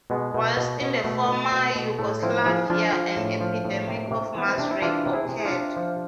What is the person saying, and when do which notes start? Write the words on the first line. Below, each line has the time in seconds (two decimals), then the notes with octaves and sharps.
Whilst in the former Yugoslavia an epidemic of mass rape occurred.
0.10 B2 G#3 B3
0.34 B2
0.57 B2
0.81 B2
1.04 B2 A3
1.28 B2
1.52 B2
1.76 B2
1.99 A2 A3
2.22 F3 C4 E4
2.46 F3 E4 G#4
2.70 F3 D4 F4
2.93 F3
3.17 A2
3.41 F3
3.65 A2
3.88 C3
4.11 C3
4.35 E3 B3
4.49 C4
4.58 C3 D4
4.71 E4
4.82 E3 D4 F4
5.06 C3
5.13 E4 G#4
5.29 C3
5.40 G#4
5.45 D4 F4
5.53 C3
5.77 F3